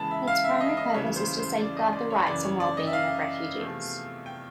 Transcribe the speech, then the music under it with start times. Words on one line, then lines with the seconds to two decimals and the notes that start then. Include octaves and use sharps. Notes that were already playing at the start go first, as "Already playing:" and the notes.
Its primary purpose is to safeguard the rights and well-being of refugees.
Already playing: D#2 C#3 E3 G#3 A5 B5
0.11 E5
0.27 F5
0.44 E5
0.61 D#5
0.77 D#5
0.94 D#2 C#3 E3 G3 C#5
1.16 C5
1.38 C5
1.60 D5
1.76 D#5
1.93 D5
2.10 C#5
2.27 F#2 C#3 E3 D5
2.43 C#5
2.60 D5
2.77 D#5
2.87 E5
2.93 F5
3.59 E2 C3 F3 A3
4.26 G5